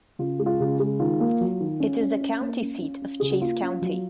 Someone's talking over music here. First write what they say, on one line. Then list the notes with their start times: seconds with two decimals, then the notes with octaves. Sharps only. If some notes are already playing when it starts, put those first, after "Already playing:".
It is the county seat of Chase County.
0.19 C#3 F4
0.39 G#3
0.46 F4
0.60 C#3
0.79 G#3
1.00 D#3 F4
1.20 A#3
1.41 F#3
1.60 D#3
1.80 C#4
2.01 C#4
2.21 C#4
2.41 A#3
2.62 C#4
2.82 C#4
3.02 C#4
3.20 C#3 G#4
3.31 F#4
3.41 A#3 F4
3.62 C#4
3.82 F#3